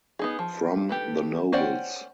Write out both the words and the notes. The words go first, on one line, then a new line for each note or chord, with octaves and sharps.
From the nobles.
B3 D#4 G#4
F3
G4 A4 B4
C#4 C5 D5 F#5 G5